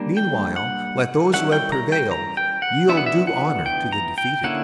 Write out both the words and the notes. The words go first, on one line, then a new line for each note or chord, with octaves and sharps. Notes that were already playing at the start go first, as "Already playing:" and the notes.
Meanwhile let those who have prevailed yield due honor to the defeated.
Already playing: G3 A#3 D4
G5
F#5
G3 C#4 E4 F#5
G5
A#5
G5
A#5
G5
F#5
E3 B3 D4 E5
F#5
E5
F#5
G5
A#5
G5
D3 A#3 C#4 E4 F#5